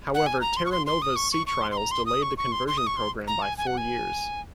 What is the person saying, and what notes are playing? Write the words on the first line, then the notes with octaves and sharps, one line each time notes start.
However "Terra Nova"s sea trials delayed the conversion program by four years.
F#5
G#5
A#5
C6
C#6
C6
C6
D#6
C#6
C#6
C#6
C6
C6
A#5
C6
D#6
C#6
C#6
C6
C6
D#6
C#6
C6
A#5
G#5
G#5
F#5
G#5